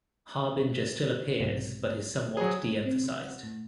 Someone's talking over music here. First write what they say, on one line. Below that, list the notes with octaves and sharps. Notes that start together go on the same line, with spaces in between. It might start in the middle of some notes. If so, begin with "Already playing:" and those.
Harbinger still appears but is somewhat de-emphasized.
B1 G#2 C3
F#3 G#4
C4
C3
F#5
A2